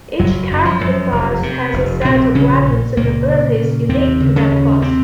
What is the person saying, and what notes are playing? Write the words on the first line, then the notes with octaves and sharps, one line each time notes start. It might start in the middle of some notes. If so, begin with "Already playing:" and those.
Each character class has a set of weapons and abilities unique to that class.
F#1 F#2 F#3
F#2
F3
F#2
F1
C3
F1
A#1 C3 C4
A#1 C#3 C#4
A#2
C#2 A#2 A#3
C#3
C#3
D#2 C3 C4
C#3
C#3 C#4
D#2
C3 C4